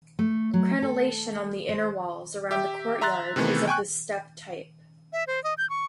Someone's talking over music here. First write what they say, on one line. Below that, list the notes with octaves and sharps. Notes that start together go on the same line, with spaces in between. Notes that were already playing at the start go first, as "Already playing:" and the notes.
Crenellation on the inner walls around the courtyard is of the stepped type.
A3
F#3
A4
C5
G4 E5 G5
E5 A#5 C6 F#6 A6
C3 D#3 E3 A3 B3
G5 G#5 C#6 F#6
E5
C5
D#5
G6
C#6